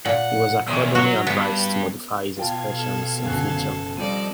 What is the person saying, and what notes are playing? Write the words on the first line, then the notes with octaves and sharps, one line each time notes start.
He was accordingly advised to modify his expressions in future.
A#2 F#5
E2 D#3
F#3 F#4
G2 B3
B2 F4 F5 G5 A5 G#6
A4
F#1 D3 F#4 A4 G#5 F#6 C7
F3 G3 C4 A4 D5 D#5 D#7